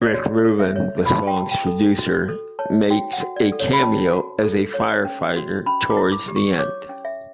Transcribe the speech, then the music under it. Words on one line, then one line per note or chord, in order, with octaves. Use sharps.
Rick Rubin, the song's producer, makes a cameo as a firefighter towards the end.
D5
F#4 C#5
A4
E5
C#5
F#4 B5
A5
G5
F#4 A5
G5
A4
F#4
A4
C#5 A5
F#4 G5
F#5
F#4
D5
A4
C#5
B5
C#4 A5
F#4
A4
C#5
C#4
F#4
C#4 B5
D6
E4
D6
G4
C#6
C#5 D6
C#4
E5